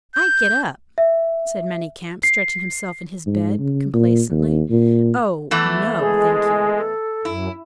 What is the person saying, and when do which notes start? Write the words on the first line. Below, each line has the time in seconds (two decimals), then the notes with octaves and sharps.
"I get up!" said Manicamp, stretching himself in his bed, complacently, "oh, no, thank you!"
0.14 G6
0.98 E5
2.23 C7
3.27 G#2
3.59 C#3
3.93 A#2
4.31 D#2
4.70 A#2
5.51 E2 E3 A3
5.99 G#3 G#4
6.77 A4
7.25 F#2 E4